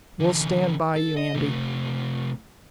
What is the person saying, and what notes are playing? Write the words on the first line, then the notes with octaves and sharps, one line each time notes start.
"We'll stand by you, Andy."
D3 E3
A4
D#5
C3 A3